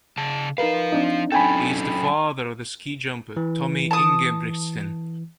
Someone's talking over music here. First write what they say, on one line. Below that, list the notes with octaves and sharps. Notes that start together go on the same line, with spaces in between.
He is the father of the ski jumper Tommy Ingebrigtsen.
C#3 A5
F3 D#4 A#4 B4 F5
C4 D4 D#4
F#3 C#4 A4 G5 G#5 B5
E3
A5 D#6